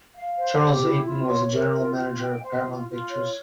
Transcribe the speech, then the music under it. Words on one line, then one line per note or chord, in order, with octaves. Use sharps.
Charles Eyton was the General Manager of Paramount Pictures.
F5
C5
G4
E4
F4
C#5
A#4
F4
F4
G5
C5
F4
F4
C#5